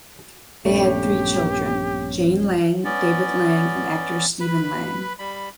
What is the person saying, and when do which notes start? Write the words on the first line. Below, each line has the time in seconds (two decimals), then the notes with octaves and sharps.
They had three children: Jane Lang, David Lang, and actor Stephen Lang.
0.65 A#1 G2 A3 B3 C#4 G4 C#5
2.85 B3 C#4 D5
4.40 B4 B5
5.19 G3 B5